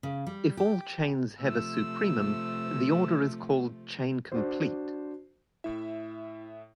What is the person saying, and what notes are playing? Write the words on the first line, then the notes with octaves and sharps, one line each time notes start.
If all chains have a supremum, the order is called chain complete.
C#3
G3
G4
C3 F3 A3 E6
D4 F#4 C5
A2 E4 E5